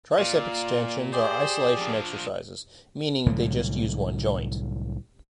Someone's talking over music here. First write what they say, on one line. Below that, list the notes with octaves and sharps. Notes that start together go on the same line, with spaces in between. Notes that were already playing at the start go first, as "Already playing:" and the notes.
Triceps extensions are isolation exercises, meaning they use just one joint.
A#2 D5 F5
G4 G#4 C5 D5
F3 D4
C2 A2 D3 F#3